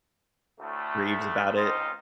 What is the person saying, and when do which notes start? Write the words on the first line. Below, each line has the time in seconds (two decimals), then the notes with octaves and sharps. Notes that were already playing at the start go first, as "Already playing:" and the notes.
raves about it?
0.60 D2 A2 A3
1.55 C#2 C4 D#4 F4 C5